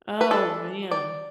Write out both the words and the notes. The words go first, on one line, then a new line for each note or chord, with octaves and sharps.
Oh, man.
B4
E3 D4 A4
D5